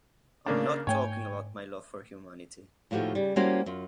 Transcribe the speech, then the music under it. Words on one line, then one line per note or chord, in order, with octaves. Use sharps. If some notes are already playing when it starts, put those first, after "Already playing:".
I’m not talking about my love for humanity.
C#3 A#3 D4
G#2 A3 C#5 G5 G#5
D#2 A2 F3 F#4 G4
C#3 G3
G3 A#3 C#4 E4 F#4 C5
F#2 F4